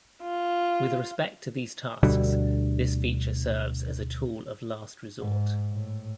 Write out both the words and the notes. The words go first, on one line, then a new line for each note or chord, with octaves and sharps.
With respect to these tasks, this feature serves as a tool of last resort.
F4
D2 B2 D3 G3
G#2
A2